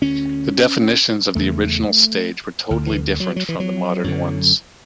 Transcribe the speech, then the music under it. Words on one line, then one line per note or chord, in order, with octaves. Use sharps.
The definitions of the original stage were totally different from the modern ones.
D2 D3 C#4
E2 C#3 A3
D2 D3
E3
F#3
F#3
E3
F#3
F#2 D3